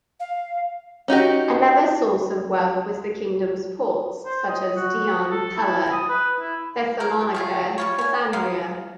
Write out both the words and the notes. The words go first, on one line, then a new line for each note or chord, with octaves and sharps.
Another source of wealth was the kingdom's ports, such as Dion, Pella, Thessalonica, Cassandreia.
F5
C#4 D#4 F#4 G4
C5
D#5
F#4
A4
E4
D#6
B4
E4
E3 A#4
A3 F4 G#4
G3 F4 C#5
C#5 G#5
G#3 B3 D#4 F5